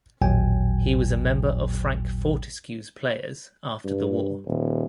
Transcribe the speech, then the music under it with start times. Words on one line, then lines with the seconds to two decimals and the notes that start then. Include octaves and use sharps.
He was a member of Frank Fortesque's Players after the war.
0.21 A1 D#2 A#2 F#3 G5 G#5
3.85 G2
4.46 D#1